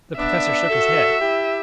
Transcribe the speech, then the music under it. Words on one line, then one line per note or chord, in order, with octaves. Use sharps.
The Professor shook his head.
B3 D4 E5
F#4 A4
E4 G4